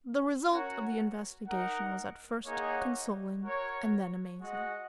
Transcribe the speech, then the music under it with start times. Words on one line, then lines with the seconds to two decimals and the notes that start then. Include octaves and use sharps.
The result of the investigation was at first consoling, and then amazing.
0.48 C#4 F#4 A#4 C#5 F#5
1.47 D#4 A#4 F#5
2.45 A#3 D#4 G#4 C#5 F#5
3.43 F#4 A#4 C#5
4.40 G#3 F#4 D#5 F#5